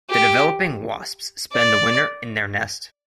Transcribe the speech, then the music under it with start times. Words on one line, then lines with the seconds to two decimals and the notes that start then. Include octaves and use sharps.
The developing wasps spend the winter in their nest.
0.10 G4
1.53 D5